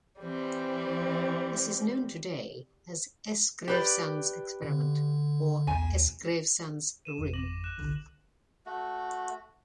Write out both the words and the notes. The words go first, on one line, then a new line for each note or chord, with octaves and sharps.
This is known today as "'s Gravesande's experiment" or "'s Gravesande's ring".
E3 G3 C4
G4 B4 D5
D3
B1 E2 G#5
D#2
D#7 E7
G#1 F2
D6 A#6 F#7
F#6 E7
G1 C2 D3
A3 F#4